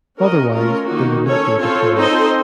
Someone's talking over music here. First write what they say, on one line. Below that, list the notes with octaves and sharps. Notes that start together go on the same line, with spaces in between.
Otherwise, they would not be deployed.
C#4 F#4 A#4 D#5
A3 C#4 F4 A#4
D#3 A#3 D#4 F#4
C#4 A4 C#5
C4 F4 A4 C#5
C4 D#4 A4 C5 D#5